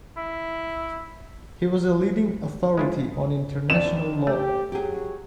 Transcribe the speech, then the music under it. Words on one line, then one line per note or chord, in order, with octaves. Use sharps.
He was a leading authority on international law.
E4
G#3 E4 F4
F2 D3 D#3 C#4 D5 E7
A3 G4
F#3 G4 G#4